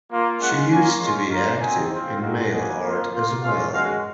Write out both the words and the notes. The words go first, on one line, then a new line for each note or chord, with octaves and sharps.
She used to be active in mail art as well.
A#3 F4
G#3 C#4 F4 F#5
A#3 C#4 F4 G#5
G#3 C#4 F4 C6
A#3 F4 A#5
C4 D#4 F#4 G#5
C4 F4
G#3 C4 D#4 F#4 F5
A#3 D#4 F#4 G#5
A#3
F4
A#3 F4
G#3 C#4 F4 F5
G#3 C#4 F#4 F5